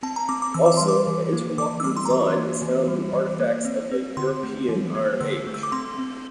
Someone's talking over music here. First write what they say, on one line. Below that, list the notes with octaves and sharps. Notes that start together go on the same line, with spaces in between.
Also, the interlocking design is found in artifacts of the European Iron Age.
C4 A5
A#5
C4 D6
D6
E3 E6
D6
G3 C6
D6
E3
A#3
E3 D6
E6
G3 D6
C6
A#5
E3 C6
A#3
E3
G3
E3
A#3
C4
C4
D3 C6
A3
E3
A#3
D3 E6
A3
E6
D6
C4 C6
C4